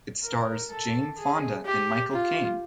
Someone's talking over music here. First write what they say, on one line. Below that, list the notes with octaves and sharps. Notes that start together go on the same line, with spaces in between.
It stars Jane Fonda and Michael Caine.
A#4
A4
G#4
G4
F4